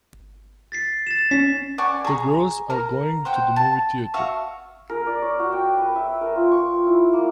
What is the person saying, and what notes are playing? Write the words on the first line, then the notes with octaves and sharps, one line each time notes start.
The girls are going to the movie theater.
A6 B6 C7
A6 E7
C#4 B6
D5 F#5 G#5 C#6
G#4 A#5
A#4 A#5
C5 F#5 G5
A5
F#4 E5 F5 C#6
A#4
D5
C#5
F#4
G5
B4
E5
A#4
F4
C#6
E4
A#3